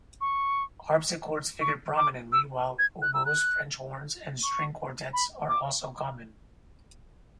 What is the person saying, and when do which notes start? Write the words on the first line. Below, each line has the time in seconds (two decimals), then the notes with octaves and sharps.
Harpsichords figure prominently, while oboes, French horns, and string quartets are also common.
0.21 C#6
1.61 C#6
1.97 D6
2.32 E6
2.79 G#6
3.02 F#6
3.14 E6
3.26 F#6
4.43 C#6
5.13 B5
5.49 D6